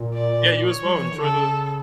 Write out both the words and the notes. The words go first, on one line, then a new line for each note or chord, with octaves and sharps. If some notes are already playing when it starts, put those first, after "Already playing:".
Yeah, you as well. Enjoy the
Already playing: A#2
D5
C#5
G3
F3
E3
D3
C#3 A4